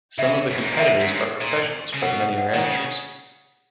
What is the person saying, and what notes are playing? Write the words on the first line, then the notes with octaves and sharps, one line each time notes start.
Some of the competitors are professionals but many are amateurs.
C#3 E5
F#2
G#2
A#2
B2 E5
F#2
G#2
A#2
C#3
B2 F#5
F#5
F#5
D#3 F#5
C#3